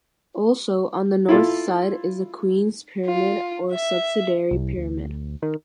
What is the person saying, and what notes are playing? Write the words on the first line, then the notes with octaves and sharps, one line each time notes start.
Also on the north side is the Queen's Pyramid or subsidiary pyramid.
E4 F4 A4
F4
E5
C2
D2
D#3